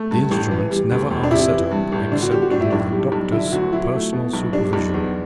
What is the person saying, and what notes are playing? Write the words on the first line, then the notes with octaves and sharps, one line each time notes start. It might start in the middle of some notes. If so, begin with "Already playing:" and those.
The instruments never are set up except under the "doctor's" personal supervision.
Already playing: A3
G2
A1
E3
G3
D2
E1
D4
C3 E4
E3
G2
A1
D3 D4
F#4
G3 G4
F#4
A2 D4
E4
B1 D4
G3
B1
D3 E4
D2 F#4
F#3 E4
A3
B2
B1
G3 D4
B1
E2